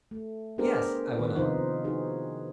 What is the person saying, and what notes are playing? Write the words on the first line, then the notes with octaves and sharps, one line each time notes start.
"Yes," I went on.
A3
B3 D4 G4 G#4 A#4 C5
D#3 B3 B4
C3 D#3 F3 D#4 F4 C5
D#4 F#4 G#4